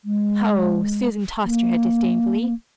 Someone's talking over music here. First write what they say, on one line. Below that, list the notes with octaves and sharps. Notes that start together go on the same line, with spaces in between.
"Ho!" Susan tossed her head disdainfully.
G#3
A#3